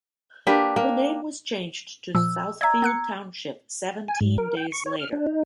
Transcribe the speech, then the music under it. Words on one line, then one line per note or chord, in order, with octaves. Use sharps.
The name was changed to Southfield Township seventeen days later.
A#3 D4 G4 B4
A#3
A#2 F3 E6
D5 E5 A#5 E6 G#6
B3 F#6 C#7
G#5
G#2
A#4
G5
C#6
C#5
F6
D4
D#4